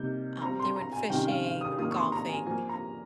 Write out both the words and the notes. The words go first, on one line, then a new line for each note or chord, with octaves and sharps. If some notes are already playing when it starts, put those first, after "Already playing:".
um, they went fishing or golfing.
Already playing: C3 G3 A#3 D#4 G6
G3 C4 F4 A#5
C6
A#5
G#5
C3 D#3 G3 C#4 F4 G5
F5
F5
D#6
D#3 A#3 F4 D#6
C#6
C6
A#5
G#5
F3 A#3 F4 G#5
A#5